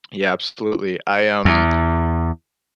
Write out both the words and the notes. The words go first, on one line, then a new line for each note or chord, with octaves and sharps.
Yeah, absolutely. I, um,
E2